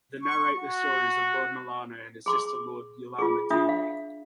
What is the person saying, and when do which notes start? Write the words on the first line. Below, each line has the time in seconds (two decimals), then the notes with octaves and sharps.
The narrate the stories of Lord Mallana and his sister Lord Yellama Devi.
0.21 C#6
0.58 F#4
2.26 G#4 C6 D6
3.19 F4 G#4
3.50 D4 F4 E5 D#6
3.69 F5